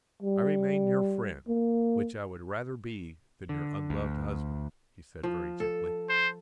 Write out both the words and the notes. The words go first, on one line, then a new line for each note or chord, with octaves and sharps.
"I remain your friend, which I would rather be than your unloved husband," he said very gently.
G3
A#3
D3
D2
F3
A4
C5